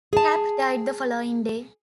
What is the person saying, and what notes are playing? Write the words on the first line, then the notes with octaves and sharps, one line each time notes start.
Kapp died the following day.
G#4 A5